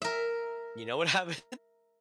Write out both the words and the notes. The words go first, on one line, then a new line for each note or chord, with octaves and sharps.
You know what happened
A#4 E5